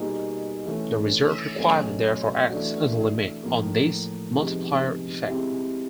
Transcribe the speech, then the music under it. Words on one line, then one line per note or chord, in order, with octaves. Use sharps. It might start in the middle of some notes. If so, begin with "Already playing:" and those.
The reserve requirement therefore acts as a limit on this multiplier effect.
Already playing: B2 G3 A#3 D#4 G#4
E3 A3 C#4
B2 F#3 A3 C#4
E3 A3 D4 F#4
A2 F3 A#3
C3 F3 G#3 B3 D#4
G#3 C4 E4 G4